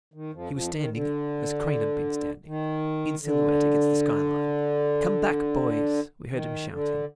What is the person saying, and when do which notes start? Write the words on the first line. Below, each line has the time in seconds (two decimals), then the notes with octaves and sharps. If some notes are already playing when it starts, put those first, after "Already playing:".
He was standing as Crane had been standing, in silhouette against the sky-line. "Come back, boys," we heard him shouting.
0.14 D#3
0.34 F2 F3
0.53 F2 F3
0.72 D#3
0.92 D3
2.46 D#3
3.22 D3
6.31 D#3
6.70 D3